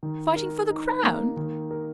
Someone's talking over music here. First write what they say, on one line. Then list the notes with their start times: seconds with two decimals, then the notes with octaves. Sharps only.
'Fighting for the crown?'
0.03 D#3
0.36 A#4
0.70 D#4
1.03 A#3
1.37 D#3
1.71 A#4